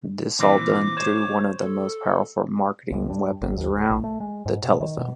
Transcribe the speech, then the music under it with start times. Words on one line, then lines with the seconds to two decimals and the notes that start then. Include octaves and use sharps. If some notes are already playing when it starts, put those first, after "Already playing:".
This all done through one of the most powerful marketing weapons around, the telephone.
0.39 A#2 E3 C4 D6
0.97 C5 C#5
1.59 A4
2.92 C#2
3.10 G2
3.42 G#1
3.56 D#2
3.73 D1
3.90 A#1
4.04 A3
4.20 G#3
4.46 G#2
4.64 B2
4.80 D#3
4.98 B2